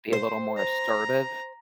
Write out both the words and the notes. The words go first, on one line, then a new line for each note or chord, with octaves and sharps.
Be a little more assertive
C5
A#5